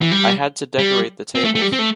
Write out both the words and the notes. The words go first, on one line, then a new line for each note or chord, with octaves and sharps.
I had to decorate the tables.
E3
G3
G3
C4
A3
A3
G3
C4
A3